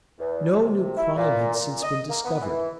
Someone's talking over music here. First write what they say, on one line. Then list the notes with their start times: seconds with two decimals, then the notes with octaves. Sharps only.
No new crime had since been discovered.
0.19 E2
0.56 C3
0.97 E4
1.15 A#2
1.54 A#2
1.83 D#5
2.09 A#3
2.24 B3
2.41 E3